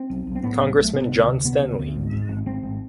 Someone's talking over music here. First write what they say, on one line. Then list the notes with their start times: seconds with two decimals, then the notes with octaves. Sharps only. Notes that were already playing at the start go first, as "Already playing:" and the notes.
Congressman John Stanly.
Already playing: C4
0.10 B1
0.27 B1
0.35 C4
0.43 A2 B3
0.60 B1
0.77 B1
0.83 A3
0.94 C3 B3
1.12 D2
1.28 C3
1.45 C3 B3
1.61 D2
1.79 D2
1.96 G#1
2.12 G#2
2.29 G#1
2.46 G#1 C4
2.63 G#1